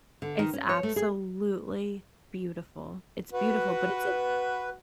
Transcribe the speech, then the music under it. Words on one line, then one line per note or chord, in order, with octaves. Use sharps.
It's absolutely beautiful. It's beautiful, but it's a
D3
D#3
C#4
C#5
A3
G#4
F#4 B4